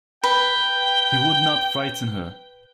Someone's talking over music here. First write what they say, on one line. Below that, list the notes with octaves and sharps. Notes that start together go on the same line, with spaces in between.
He would not frighten her.
B4 G5